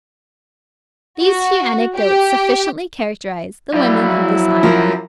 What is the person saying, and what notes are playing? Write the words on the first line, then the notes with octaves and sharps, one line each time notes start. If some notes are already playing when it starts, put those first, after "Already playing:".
These few anecdotes sufficiently characterise the women of this island.
F#4
G4
F3 F#3 E4 D5
F#2 F3 A#4